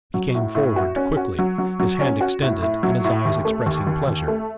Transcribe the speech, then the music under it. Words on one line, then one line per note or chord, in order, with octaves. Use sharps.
He came forward quickly, his hand extended, and his eyes expressing pleasure.
F#3
A2
A2
F#4
C#4
F#4
F#3
F#3
F#3
C#4
F#4
A2
A2
F#3
A2
D#2
A3
D#2
D#2
D#2
A3